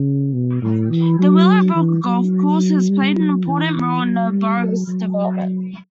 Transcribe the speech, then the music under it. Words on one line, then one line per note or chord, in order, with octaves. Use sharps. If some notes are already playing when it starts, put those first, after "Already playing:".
The Willowbrook Golf Course has played an important role in the borough's development.
Already playing: C#3
B2
A2
E3
F#3
E3
F#3
G3
F#3
E3
F#3
G3
F#3
F#3